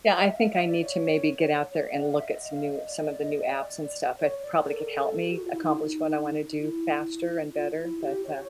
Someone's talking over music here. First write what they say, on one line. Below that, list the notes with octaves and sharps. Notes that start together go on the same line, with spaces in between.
Yeah, I think I need to maybe get out there and look at some new some of the new apps and stuff, it probably could help me accomplish what I wanna do faster and better, but, uh,
D#5
E5
F5
E5
D5
C#5
C#5
D5
F#5
F5
E5
D#5
F5
D#5
D5
D#5
D5
D#5
D5
C#5
D5
A#4
A4
A#4
A4
G4
F#4
F4
E4
D#4
E4
F4
E4
G4
C#5